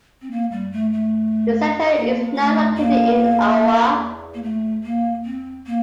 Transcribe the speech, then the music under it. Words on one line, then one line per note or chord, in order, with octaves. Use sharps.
The Center is now located in Iowa.
C4
A#3
G3
A3
A3
A#3
A3
A#3
A#3
A3
A#3
C4
A#3